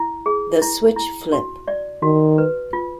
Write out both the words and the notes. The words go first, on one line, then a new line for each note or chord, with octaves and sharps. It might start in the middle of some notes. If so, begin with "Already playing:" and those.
The switch flip.
Already playing: E4
G#4
E4
E4
F#4
D5
D#3 F#4
B4
F4